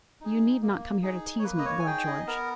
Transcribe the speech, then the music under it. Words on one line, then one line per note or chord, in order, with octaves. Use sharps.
"You need not come here to tease me, Lord George."
D#4 G#4
A#3
D#4 G#4
C#5
A#3 B4
D#5
C#5
G#5
D#4 G#4 G5
D#5
B3 A#4